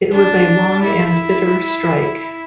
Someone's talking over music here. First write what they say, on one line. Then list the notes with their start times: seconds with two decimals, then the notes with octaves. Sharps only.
It was a long and bitter strike.
0.12 D4
0.84 E4